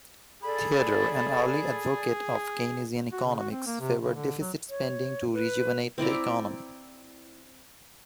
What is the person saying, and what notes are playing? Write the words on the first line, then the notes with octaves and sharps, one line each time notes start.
Theodore, an early advocate of Keynesian economics, favoured deficit spending to rejuvenate the economy.
G#4 A4 D5 B5
F#4
C#3
F#4
C4
A#3
C3
C#3
D3
F#3
C#5
B4
C4 E4 D5 A#5